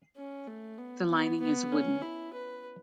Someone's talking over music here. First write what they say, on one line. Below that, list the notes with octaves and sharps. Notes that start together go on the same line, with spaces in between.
The lining is wooden.
C#4
A3
B3
B3
B3
C#4
E4
B4